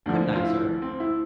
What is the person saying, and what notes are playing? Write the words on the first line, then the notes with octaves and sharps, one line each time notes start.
Good-night, sir.
D2 D3 F3 D4
F4
E4
C4
E4